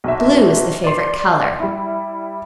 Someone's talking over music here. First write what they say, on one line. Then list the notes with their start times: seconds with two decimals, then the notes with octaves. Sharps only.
Blue is the favorite color.
0.04 B1 E5
0.84 D5 C6
1.60 G3 E4